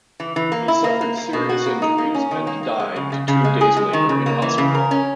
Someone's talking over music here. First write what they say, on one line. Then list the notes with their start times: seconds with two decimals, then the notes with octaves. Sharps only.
He suffered serious injuries and died two days later in hospital.
0.20 E3
0.36 E3
0.52 A#3
0.68 E4
0.84 A#3
1.01 A#3
1.17 A#3
1.33 B2
1.49 F#4
1.66 A#3
1.82 D#4
1.98 A#3
2.14 C#4
2.31 D#3
2.47 A#3
2.63 A#3
2.80 G#3
2.96 C#3
3.12 C#3
3.28 C#3
3.44 G#3
3.61 G#4
3.77 G#3
3.93 D#3
4.09 C#3
4.26 A#3
4.42 E3
4.58 C#3
4.75 A#4
4.91 C#4